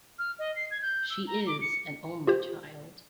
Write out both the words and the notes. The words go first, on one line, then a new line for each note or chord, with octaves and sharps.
She is an only child.
F6
D#5
C7
G#6
G6
E6
A#5
D6
C#7
F4 G4 C5